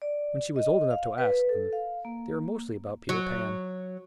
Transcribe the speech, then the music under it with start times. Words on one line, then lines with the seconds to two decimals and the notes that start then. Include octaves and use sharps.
When she was old enough to ask them they were mostly about Peter Pan.
0.02 D5
0.56 D#5
0.91 F5
1.18 B4
1.49 A4
1.73 F5
2.05 A#3
3.09 F#3